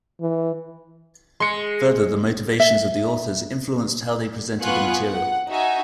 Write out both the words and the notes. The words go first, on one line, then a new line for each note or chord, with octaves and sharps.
Further, the motivations of the authors influenced how they presented the material.
E3
G#3 C6 C#7
E5
B3 F4 B4 G#5 C#6 F#6
F#5
D#4 F#4 E5 G#5